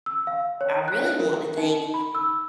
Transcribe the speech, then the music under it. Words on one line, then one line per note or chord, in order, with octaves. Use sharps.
I really want to think
E6
F5
C#5
F#6
A#4
D#4
B5
E6